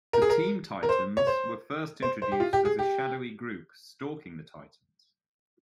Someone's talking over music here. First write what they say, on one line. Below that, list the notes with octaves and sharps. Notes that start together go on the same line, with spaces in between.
The Team Titans were first introduced as a shadowy group stalking the Titans.
A#4
G#4
A#4
A#4
C5
C#5
C5
C5
C5
G4
F4
G4
G#4
G4